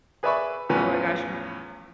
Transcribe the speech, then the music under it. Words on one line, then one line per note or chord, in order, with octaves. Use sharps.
Oh my gosh, m
G#4 B4 D5 E5 B5 C#6
E2 A2 F3 C#4 B4